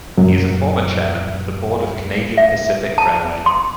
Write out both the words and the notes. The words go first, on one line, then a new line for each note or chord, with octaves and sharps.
He is a former Chairman of the Board of Canadian Pacific Railway.
F#2 A#2 F#3
E5
A5
C6